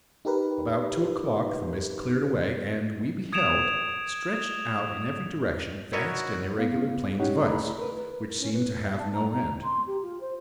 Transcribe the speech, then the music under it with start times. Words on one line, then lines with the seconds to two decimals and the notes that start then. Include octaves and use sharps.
About two o'clock the mist cleared away, and we beheld, stretched out in every direction, vast and irregular plains of ice, which seemed to have no end.
0.25 D#4 G4 A#4 B4
3.33 D#6 G#6 C#7 D7 E7 F7
5.93 E4 F#4 A#4 C#5 D#5
6.58 B3 E4 F5
7.19 C#4 D#4 E4 G4 C#5 F#5
7.44 C2 A3 E4 G#4 A#5 B5
7.78 A#4 B4
8.39 C#4
8.53 B4
8.83 E5
8.98 A5
9.13 A#5
9.31 A#5
9.63 C6
9.86 G4
10.02 F4
10.20 C5